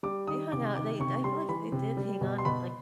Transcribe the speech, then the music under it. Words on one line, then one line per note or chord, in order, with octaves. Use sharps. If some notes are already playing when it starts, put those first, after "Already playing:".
They hung out, they I feel like they did hang on, like,
G3 D6
D#3 D#6
C3 D6
D#3 D6
C3 C#6
G3 C6
E3 B5
C3
G3
B2
C6
B2 B5